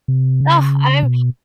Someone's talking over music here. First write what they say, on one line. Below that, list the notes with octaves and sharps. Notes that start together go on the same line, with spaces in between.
Ugh, I'm
C3
C#3
B2